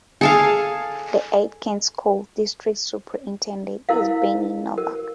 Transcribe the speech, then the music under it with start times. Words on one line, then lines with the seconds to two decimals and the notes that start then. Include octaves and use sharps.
The Aitkin School District's Superintendent is Bernie Novak.
0.21 G#4 A4 F5
3.89 E4 A#4 F5
4.78 A#4